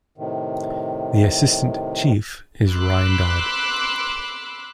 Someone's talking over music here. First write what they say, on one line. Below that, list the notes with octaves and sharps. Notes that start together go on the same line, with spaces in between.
The Assistant Chief is Ryan Dodd.
A2 C3 D#3
B5 C6 D6 E6 F#6